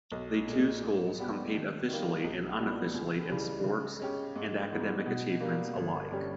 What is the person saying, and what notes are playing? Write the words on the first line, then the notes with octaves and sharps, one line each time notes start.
The two schools compete officially and unofficially in sports and academic achievements alike.
B1
A#2 G#3
G#2
G3 B3 G4
D#2
D#3 G3 A#3
B1
A#2 G3 B3 E4
C#2
C#3 E3 G3
C#3
G#3 C#4 G4
G#2
E3 G#3 B3 D#4
B2
G3 A#3
G1
G2 G3 C#4 G4